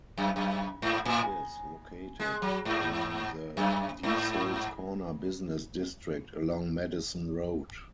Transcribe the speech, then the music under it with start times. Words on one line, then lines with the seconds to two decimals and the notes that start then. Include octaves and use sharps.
It is located in the DeSales Corner business district, along Madison Road.
0.18 F#2
0.36 F#2
0.82 G#2
1.05 A2
2.20 G#3
2.42 F#3
2.65 G#2
3.57 F#2
4.03 G#2